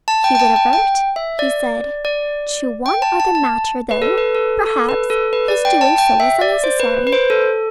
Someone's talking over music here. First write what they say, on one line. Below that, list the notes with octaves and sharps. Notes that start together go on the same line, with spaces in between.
'He would advert,' he said, 'to one other matter, though, perhaps, his doing so was unnecessary.
A5
G5
G5
A5
G5
G5
E5
D5
D5
G5
A5
A5
A5
B4
A4
B4
A4
A4
B4
A4
B4
D5
G5
A5
G5
E5
D5
C5
B4
B4
C5
A4